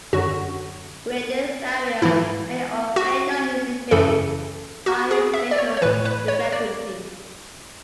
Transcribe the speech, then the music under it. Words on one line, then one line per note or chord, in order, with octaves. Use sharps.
Radiant barriers may or may not exhibit high visual reflectivity.
F#2 D3 F#3 F#4
G#2 E3 E4
F#4
F#2 C#3 E3 A4
F#4
G#4
E5
D5
C#5
C#5
A2 E3 B4
B4
C#5
D5